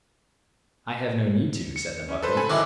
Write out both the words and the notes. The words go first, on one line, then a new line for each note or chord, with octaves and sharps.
"I have no need to," said the buckwheat.
C#7
C#4
A4 B4 C5
A4 G#5 B5
F#2 D#3 C#4 E4 D6 F#6